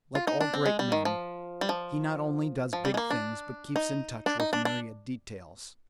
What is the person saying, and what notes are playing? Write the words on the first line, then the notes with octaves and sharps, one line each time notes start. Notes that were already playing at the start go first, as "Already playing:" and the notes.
Like all great men, he not only does big things, but keeps in touch with myriad details.
F4
D#4
D4
C4
G#3
G3
D#3
F3
G3
F3
F3
G3
G#3
A#3
D4
D#4
D4
D#4
D4
D4